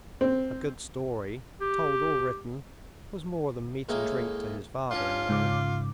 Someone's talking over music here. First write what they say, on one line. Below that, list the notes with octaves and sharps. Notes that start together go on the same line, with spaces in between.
A good story, told or written, was more than meat and drink to his father-in-law.
C4
G4
A2 G#3 A#3
C#4 D4 F4 F#5
G#2 C#3 D6